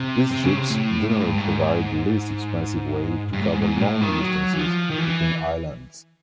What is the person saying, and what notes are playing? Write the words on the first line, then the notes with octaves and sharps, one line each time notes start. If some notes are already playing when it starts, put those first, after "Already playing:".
These ships generally provide the least expensive way to cover long distances between islands.
Already playing: C3
C3
C#3
C3
A2
A2
G#2
G2
G#2
G2
G#2
G#2
A#2
A2
D#3
F#3
E3
F3
D#3
E3